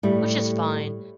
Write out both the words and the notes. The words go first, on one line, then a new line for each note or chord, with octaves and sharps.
Which is fine.
A2 G3